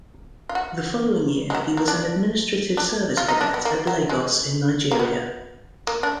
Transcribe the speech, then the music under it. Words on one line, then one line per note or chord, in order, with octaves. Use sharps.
The following year he was an administrative service cadet at Lagos in Nigeria.
F4
F#4
G#3
F#3
A#3
D4
D4
F4
D#4
D4
B3
A#3
F#3
G#3
A#3
B3
A#3
D4